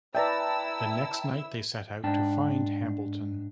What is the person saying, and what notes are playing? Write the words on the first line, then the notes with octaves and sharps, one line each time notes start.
The next night they set out to find Hambleton.
E4 B4 D5 E5 G5 A5 A#5 E6
G#2 D4 G5 A5